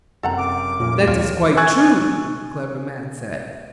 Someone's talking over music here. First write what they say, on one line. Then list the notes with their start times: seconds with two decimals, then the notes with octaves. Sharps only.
"That is quite true," the clever man said.
0.23 F#1 C3 A4 F#5 G5 A#5
0.37 D6
0.80 F1 A#2 C#4 A#4
1.07 D#2 F4 C#5
1.57 G#5 C#6 E6 F#6 G#6 A6